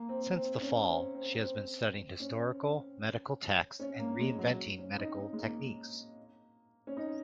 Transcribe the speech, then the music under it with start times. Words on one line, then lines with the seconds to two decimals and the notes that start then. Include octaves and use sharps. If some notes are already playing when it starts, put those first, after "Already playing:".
Since The Fall, she has been studying historical medical texts and re-inventing medical techniques.
Already playing: A#3
0.09 C4
0.35 C4
0.61 C#4
0.88 C4
1.14 C4
1.41 C4
2.20 C#4
3.80 C#4
3.99 A#3
4.19 G#3
4.39 F#3
4.78 C#4
4.98 D#4
5.18 D#4
5.33 G#3
5.38 A#3
6.87 C#4
6.97 D#4